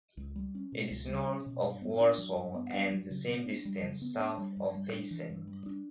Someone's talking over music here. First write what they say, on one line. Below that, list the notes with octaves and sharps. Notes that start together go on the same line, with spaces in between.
It is north of Warsaw and the same distance south of Faison.
C#2
G3
C#4
B2
C#2
G3
C#4
B2
G2
B3
D4
F#3
G2
B3
D4
F#3
C#3
B3
D4
G3
C#3
B3
D4
G3
G2
G3
D4
E3
G2
G3
D4